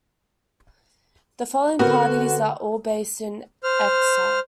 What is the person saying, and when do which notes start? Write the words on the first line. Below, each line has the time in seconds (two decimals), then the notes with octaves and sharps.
The following parties are all based in exile.
1.79 D3 B3 C4 F#4 A#4
3.63 C5 F6